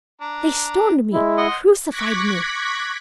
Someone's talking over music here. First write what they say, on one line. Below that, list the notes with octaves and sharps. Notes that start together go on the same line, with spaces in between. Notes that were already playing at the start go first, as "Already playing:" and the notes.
They stoned me, crucified me...
D4 A#5
G#3 E4
D#5 F#5 C6
C#6 D6 F#6 G#6 A#6 B6